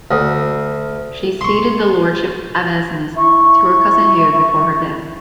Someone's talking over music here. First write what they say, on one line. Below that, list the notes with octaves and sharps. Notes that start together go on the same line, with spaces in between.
She ceded the lordship of Avesnes to her cousin Hugh before her death.
D2
C6 C#6
E4 C#6